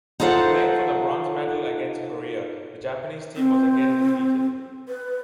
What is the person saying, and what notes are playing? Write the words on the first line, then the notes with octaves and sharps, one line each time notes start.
Playing for the bronze medal against Korea, the Japanese team was again defeated.
D#4 F4 A4 C5 F#5
C4
B4